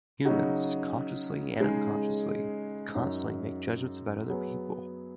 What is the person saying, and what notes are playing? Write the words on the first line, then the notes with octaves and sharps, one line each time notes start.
Humans - consciously and unconsciously - constantly make judgments about other people.
C#3 F#3 D#4 F#4
C#3 G#3 D#4 G#4
F#2 F#3 D#4
F#3 B3 G#4